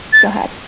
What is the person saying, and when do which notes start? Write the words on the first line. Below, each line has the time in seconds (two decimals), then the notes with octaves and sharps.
Go ahead.
0.13 A6